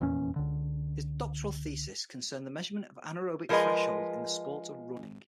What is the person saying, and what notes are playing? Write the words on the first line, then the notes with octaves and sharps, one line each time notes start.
His doctoral thesis concerned the measurement of anaerobic threshold in the sport of running.
F1 E2 A#2 C#4
C#2 D3
F3 G#3 A#4 B4 D#5